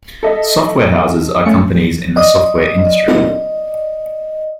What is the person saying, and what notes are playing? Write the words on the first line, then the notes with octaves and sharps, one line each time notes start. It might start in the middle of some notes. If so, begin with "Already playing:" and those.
Software houses are companies in the software industry.
A4 D#5 E5
A3 C#4 C#7
D5 D#5